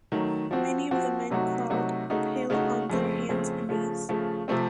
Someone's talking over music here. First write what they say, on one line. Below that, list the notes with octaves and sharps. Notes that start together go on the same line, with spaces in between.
Many of the men crawled uphill on their hands and knees.
D#3 F#3 A3
F3 C4 F#4
F3 C4 F#4
C3 F#3 A3 D#4 F#4
C3 F#3 A3 D#4 F#4
C#3 A3 D#4 F#4
C#3 A3 D#4 F#4
F2 C#3 A3 C4
F2 C#3 A3 C4
C#3 F3 A3
C#3 F3 A3
C3 F3 A3 C4